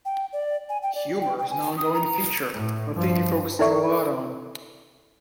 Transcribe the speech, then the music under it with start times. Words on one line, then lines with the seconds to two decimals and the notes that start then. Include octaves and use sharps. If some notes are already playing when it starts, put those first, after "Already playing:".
Humor is an on-going feature, a thing he focuses a lot on.
0.05 G5
0.33 D5
0.69 G#5
0.83 G5
0.95 D5
1.20 G5
1.39 G5
1.51 G#5
1.77 D#6
1.94 A#5
2.53 A2
2.94 G2 F3
3.59 E4 A4 D5 E5 C#6